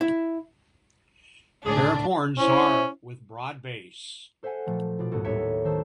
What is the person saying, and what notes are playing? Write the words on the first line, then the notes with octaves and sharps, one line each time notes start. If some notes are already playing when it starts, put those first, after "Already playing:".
Pair of horns are with broad base.
E4
D2 A2 D4 G#4
C#4 E4 C5
A4 C5 E5 F#5 G#5
A#2 F3 A3
B2 F4 D5
D#1 C2 G#2 B3 F#4 A4
D#2 A2 B3 C#5 E5 C#7
D#3 A3 C5 A5 E6